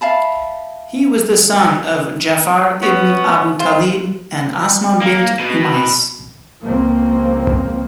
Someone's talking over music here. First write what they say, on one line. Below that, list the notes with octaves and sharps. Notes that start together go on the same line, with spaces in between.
He was the son of Ja'far ibn Abu Talib and Asma bint Umais.
E5 F5 A5 B5
B3 C#4
F4 C5
A#3
B2
C#2 F3 A#3 C4